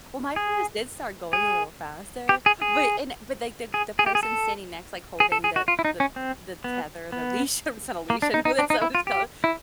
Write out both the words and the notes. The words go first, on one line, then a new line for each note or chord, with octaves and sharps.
Well, my horse did start going a little faster, but and but, like, the the person standing next, like, holding the the the tether the leash, I mean it's not a leash. And who that's what it's called.
G#4
G#4
G4
G#4
G#4
G#4
G#4
G4
G#4
A4
G#4
A4
G#4
F#4
F4
E4
D#4
C#4
C4
B3
B3
A#3
D4
D#4
D#4
D4
D#4
E4
F4
G4
E4